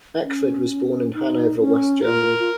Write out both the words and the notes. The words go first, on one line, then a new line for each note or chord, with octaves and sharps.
Ackford was born in Hanover, West Germany.
C#4
D#4
C#4
F4 A#4
F4